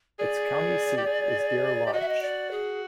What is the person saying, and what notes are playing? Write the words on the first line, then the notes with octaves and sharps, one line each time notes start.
Its county seat is Deer Lodge.
G#4 D5
G4
G#4
G4
F#4 D#5
E5
D#5
D5
G#4